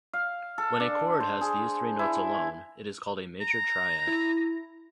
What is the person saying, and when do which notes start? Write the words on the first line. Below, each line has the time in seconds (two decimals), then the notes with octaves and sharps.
When a chord has these three notes alone, it is called a major triad.
0.13 F5
0.58 A4
0.80 D4
1.20 C5
1.41 G#4
1.99 E4
3.41 A#5
4.07 E4